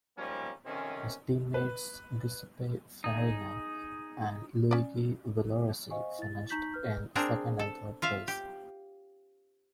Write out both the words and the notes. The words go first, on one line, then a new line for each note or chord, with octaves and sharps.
His teammates Giuseppe Farina and Luigi Villoresi finished in second and third places.
G#2 F3 G3 A#3 C#4 D#4
F2 C3 D#3 C#4
B4
D#4 G#4
C#4 D5
C5 D#5 F5 G#5 C#6
E4 A6
D#4 A#5 C#6 G6 B6 F#7
B4 F6 G6
C4 D4 G#4 A#4
A4
F4 E5 F5
G4